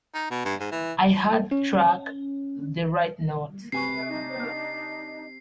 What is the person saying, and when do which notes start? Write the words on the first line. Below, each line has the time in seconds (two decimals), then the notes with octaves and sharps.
I had struck the right note.
0.15 D#4
0.31 B2
0.45 G2
0.60 G#2
0.72 E3
1.51 C#4
3.72 C3 B4 G#5 C#6 C7
4.08 D4 D#4 D#5